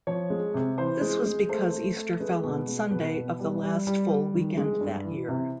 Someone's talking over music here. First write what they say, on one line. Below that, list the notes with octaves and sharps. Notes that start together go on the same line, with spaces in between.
This was because Easter fell on Sunday of the last full weekend that year.
F3 C#5
G#3
C3
E3 C5
G#3
G#3
A3 C5
A3
A3
G#3 B4
B2
G#3
B2 B4
B2
G3
G3
G3
G3
D#3
G#3
G2
E3
C3